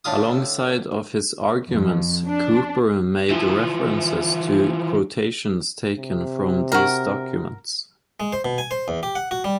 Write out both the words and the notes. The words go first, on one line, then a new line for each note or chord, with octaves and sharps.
Alongside of his arguments Cooper made references to quotations taken from these documents.
A2 D3 F4 D#6
F2
D4
E3 F3
C3
F#4 A#4
G#3
C5
B2
G#5
C5
E2
G4
F#5
F#4
G3